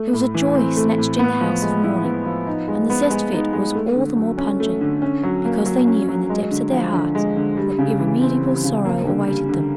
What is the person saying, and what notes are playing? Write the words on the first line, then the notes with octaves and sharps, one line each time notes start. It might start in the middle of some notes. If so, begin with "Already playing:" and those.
It was a joy snatched in the house of mourning, and the zest of it was all the more pungent, because they knew in the depths of their hearts what irremediable sorrow awaited them.
Already playing: A3
A2
E3
C4
A3
A2
B3
F3
G#3
E4
B3
F3
D#4
G#3
B3
G#3
D#4
G#3
A3
D3
F#3
C#4
A3
D3
C#4
F#3
A#3
F#3
C#4
F#3
G#3
D3
F3
D3
G#3
D3
G3
C#3
E3
C4
G3
C#3
A#3
D3
G3
D3